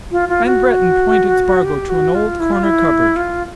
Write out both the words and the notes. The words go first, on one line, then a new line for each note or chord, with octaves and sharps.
And Breton pointed Spargo to an old corner cupboard.
F4
F4
F#4
G4
F#4
F4
E4
F4
E4
F4